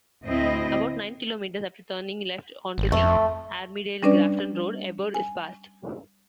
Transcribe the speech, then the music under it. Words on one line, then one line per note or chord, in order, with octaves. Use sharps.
About nine kilometres after turning left onto the Armidale Grafton road Ebor is passed.
D2 A2 C4 E4 D#5
G#1
F2 A3
G3 C#4 D4 B4 D5
G#5